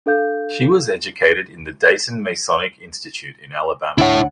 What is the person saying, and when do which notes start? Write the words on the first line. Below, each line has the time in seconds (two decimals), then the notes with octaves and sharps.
She was educated in the Dayton Masonic Institute in Alabama.
0.06 D4 A4 F5 G6
3.98 D2 D4 E4 C#5 F#5